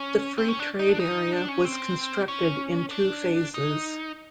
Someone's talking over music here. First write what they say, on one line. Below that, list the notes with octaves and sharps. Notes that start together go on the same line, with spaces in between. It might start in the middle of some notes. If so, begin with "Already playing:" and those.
The free trade area was constructed in two phases.
Already playing: C#4
C4
C#4
D4
D#4
D4
D#4
D4
C#4
C4
C#4
D4
D#4